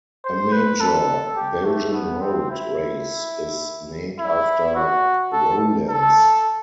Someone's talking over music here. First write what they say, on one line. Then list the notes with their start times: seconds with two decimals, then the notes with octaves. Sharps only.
A major Belgian road race is named after Roelants.
0.25 C5
0.52 B4
0.81 A4
1.37 G4
1.65 A3
1.93 B3
2.21 C4
2.51 E4
4.20 E4
4.75 F#4
5.32 A4
5.89 A4